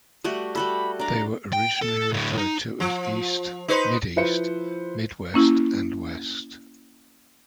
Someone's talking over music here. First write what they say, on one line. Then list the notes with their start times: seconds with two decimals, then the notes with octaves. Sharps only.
They were originally referred to as East, Mideast, Midwest, and West.
0.24 G3 A3 F#4
0.55 G3 F#4 A4 B5
0.99 D4 D5 A#5
1.53 G5
1.82 A4
2.13 A2 D3
2.38 D#4
2.80 F3
3.68 D#4 B4 C5
4.16 F3 E4 B4 C5 C#7
5.34 A#3 C#4 E4